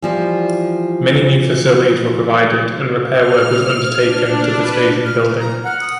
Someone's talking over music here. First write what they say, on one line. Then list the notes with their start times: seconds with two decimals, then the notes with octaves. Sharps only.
Many new facilities were provided, and repair work was undertaken to the station building.
0.02 E3 F3 G3
3.16 F6
3.61 F6
4.01 D4
4.55 B4
5.06 F6
5.40 A#5
5.65 F#5 F6
5.81 D#6